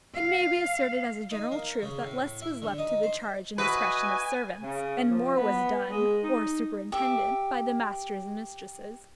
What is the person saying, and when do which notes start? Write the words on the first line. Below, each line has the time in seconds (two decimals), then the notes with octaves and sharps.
It may be asserted as a general truth, that less was left to the charge and discretion of servants, and more was done, or superintended, by the masters and mistresses.
0.14 F5
1.31 D#4
1.51 A#3
1.82 C#3
2.00 A2
2.42 E4
2.62 D3
2.78 D#4
3.03 C5
3.58 F#4 B4 D#5 E5 G#5
4.62 C#3
5.09 F3
5.36 B3
5.90 G#3
6.23 D#4
6.92 G4 E5